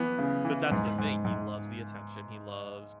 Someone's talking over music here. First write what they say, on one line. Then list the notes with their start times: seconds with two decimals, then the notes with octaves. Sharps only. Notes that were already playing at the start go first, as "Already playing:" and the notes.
but that's the thing, he loves the attention, he loves
Already playing: E3 B3
0.18 C#3
0.45 E3
0.71 G#2
0.98 G#2
1.25 G#2